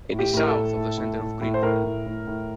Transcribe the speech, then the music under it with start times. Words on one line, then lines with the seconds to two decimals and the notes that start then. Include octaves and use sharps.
It is south of the center of Greenville.
0.12 A2
0.19 G4
0.34 A2 A#4
0.47 A4
0.55 A2
0.76 A2
0.98 A2
1.19 A2
1.41 A2
1.54 C5
1.62 A2 A#4
1.84 A2
2.06 A2
2.27 A2